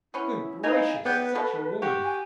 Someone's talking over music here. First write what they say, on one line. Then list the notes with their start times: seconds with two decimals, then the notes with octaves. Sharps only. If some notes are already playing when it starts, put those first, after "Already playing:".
Good gracious, such a woman!'
0.14 B3 C#4 E4
0.64 E3 D#4 F5 G#5
1.05 B3 B4 D5 G5
1.35 B2 A4
1.82 F#4 G4
2.03 G#5